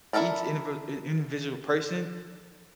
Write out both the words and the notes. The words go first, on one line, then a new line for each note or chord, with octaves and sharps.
each indivd in individual person,
E4 F4 A4 A#4 D5